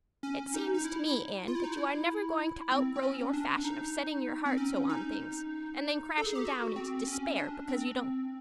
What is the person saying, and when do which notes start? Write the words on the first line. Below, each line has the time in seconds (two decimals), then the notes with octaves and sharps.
"It seems to me, Anne, that you are never going to outgrow your fashion of setting your heart so on things and then crashing down into despair because you don't get them."
0.23 C#4
0.54 D#4
0.74 D#4
0.85 E4
1.48 F4
1.55 E4
1.64 D#4
1.72 E4
2.72 C4
2.96 C4
3.03 C#4
3.33 D4
3.64 D#4
4.46 C4
4.58 C#4
4.89 D#4
6.18 A4
6.26 G#4
6.35 G4
6.45 F#4
6.76 C4
7.07 C#4
7.38 D4
7.69 C4